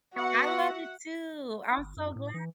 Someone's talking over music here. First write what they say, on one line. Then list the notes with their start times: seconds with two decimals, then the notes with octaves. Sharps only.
I love it too, I'm so glad.
0.16 B3 F#4 E5 F#5 C#6
1.78 G1
1.96 F#2
2.16 A2
2.34 E3